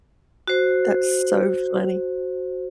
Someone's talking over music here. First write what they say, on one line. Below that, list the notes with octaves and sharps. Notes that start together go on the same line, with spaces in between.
That's so funny.
F#4 C5